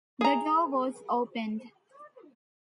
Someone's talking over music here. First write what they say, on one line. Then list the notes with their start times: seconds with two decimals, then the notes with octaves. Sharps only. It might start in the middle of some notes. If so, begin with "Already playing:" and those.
The door was opened.
0.21 G#4 A#5